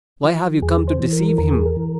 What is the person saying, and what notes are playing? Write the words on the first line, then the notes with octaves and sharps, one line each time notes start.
Why have you come to deceive him?
F3
E2 G#4
C5
E3
A#4
E2 A#4
G#4
A#4
E3